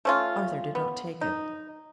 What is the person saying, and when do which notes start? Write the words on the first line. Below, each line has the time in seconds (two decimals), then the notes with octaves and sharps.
Arthur did not take it.
0.05 A3 C#4 F4
0.75 B3
1.21 D#4